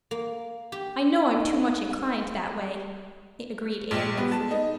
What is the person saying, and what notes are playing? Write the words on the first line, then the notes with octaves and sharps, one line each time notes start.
"I know I'm too much inclined that, way" agreed Anne ruefully.
A#3
G4
D#4
A#1
B3
A5
D#4